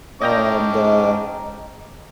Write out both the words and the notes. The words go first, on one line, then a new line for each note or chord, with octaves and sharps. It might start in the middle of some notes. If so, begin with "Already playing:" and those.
and, uh,
C#4 D#5 G5 A5 A#5 D6